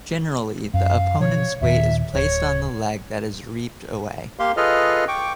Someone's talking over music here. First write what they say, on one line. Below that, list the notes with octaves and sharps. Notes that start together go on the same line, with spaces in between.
Generally the opponent's weight is placed on the leg that is reaped away.
F#2 F5
B2 F3 C#5
D#2 A#2 D#3 E5
D1 C#5
A#3 G4 F5 C6
F4 G#4 A4 B4 D#5 F6
G5 C#6 D6